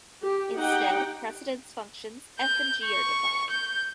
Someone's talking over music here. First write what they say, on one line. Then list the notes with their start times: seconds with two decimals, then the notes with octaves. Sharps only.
Instead, precedence functions f and g are defined.
0.24 G4
0.58 D#4 G4 F#5 G5
2.40 G6
2.84 C#6
3.51 G6